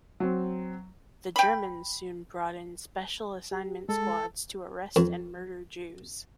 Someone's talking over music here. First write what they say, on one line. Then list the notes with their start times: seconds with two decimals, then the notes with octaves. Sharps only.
The Germans soon brought in special assignment squads to arrest and murder Jews.
0.20 F#3 C4
1.36 G5 B5
3.51 G4
3.89 G#3 A4
4.96 F2